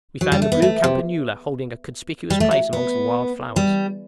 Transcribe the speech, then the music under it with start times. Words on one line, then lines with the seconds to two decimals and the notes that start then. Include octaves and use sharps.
We found the blue campanula holding a conspicuous place amongst the wild flowers.
0.21 F#3
0.32 G3
0.42 A3
0.52 B3
0.62 A3
0.84 C3
2.30 G3
2.40 A3
2.51 F#3
2.73 B3
3.56 G3